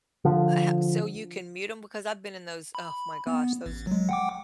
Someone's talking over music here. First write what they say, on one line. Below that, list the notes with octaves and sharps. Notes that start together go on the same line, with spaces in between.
eh, ho so you can mute 'em? Because I've been in those oh my gosh, those
D3 F3
B5
B3
A1
F#3 G#3
F#5 G5 D6